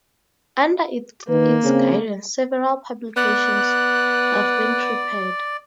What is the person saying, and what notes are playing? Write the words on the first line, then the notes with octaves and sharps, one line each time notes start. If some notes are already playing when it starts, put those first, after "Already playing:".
Under its guidance several publications have been prepared.
D#3 A#3 B4
C#3 C4
B3 D5 F#6